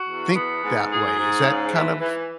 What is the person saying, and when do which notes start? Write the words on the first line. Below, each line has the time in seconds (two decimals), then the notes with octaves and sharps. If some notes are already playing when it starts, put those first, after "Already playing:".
think that way." Is that kind of
Already playing: F#4
0.08 E2
0.35 B3
0.63 G#2
0.91 G#4
1.18 G#2
1.46 C#3
1.73 E3
2.01 E3